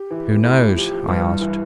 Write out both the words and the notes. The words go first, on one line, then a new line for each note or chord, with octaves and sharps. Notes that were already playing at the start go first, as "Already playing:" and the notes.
"Who knows?" I asked.
Already playing: G4
E3
A2 G4 A4
F3 G4
G2 B4
E4
E3